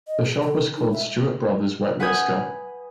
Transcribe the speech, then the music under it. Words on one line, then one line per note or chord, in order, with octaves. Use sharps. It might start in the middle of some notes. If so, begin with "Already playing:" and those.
The shop was called Stewart Brothers Wet Whisker.
D#5
G#4
A4
D#4
E5
B4 F#5 G#5 D#6 G6 G#6